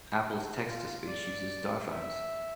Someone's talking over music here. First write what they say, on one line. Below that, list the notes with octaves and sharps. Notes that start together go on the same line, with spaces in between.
Apple's text-to-speech uses diphones.
F4
D5
E5